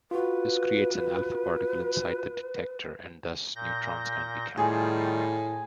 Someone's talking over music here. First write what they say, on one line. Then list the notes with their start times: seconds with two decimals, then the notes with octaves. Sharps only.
This creates an alpha particle inside the detector and thus neutrons can be counted.
0.11 F4 F#4 B4
3.56 A#2 G6 A#6
4.57 A2 D#3 G3 F4 G#4